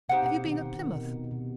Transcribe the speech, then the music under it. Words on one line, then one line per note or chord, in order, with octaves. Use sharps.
'Have you been at Plymouth?
C3 D#4 G4 C5 F#5
B2
C3
D#3
D#3
D#3
C3
B2
C3
C3
B2